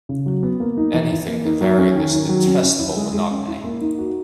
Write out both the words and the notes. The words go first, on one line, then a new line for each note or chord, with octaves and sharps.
Anything to vary this detestable monotony.
C#3
F#3
B3
A#3
D#4
E3
E3
A#3
D#4
F#3
C#4
D#3
D#3
F#3
C#4
C#4
E4
G#3
G#3
C#4
E4
A#3
D#4
F#4